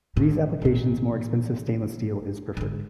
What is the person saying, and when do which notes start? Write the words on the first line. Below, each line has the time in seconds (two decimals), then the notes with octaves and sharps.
For these applications, more expensive stainless steel is preferred.
0.17 A2
0.62 A1 A#2
2.57 G#2 D3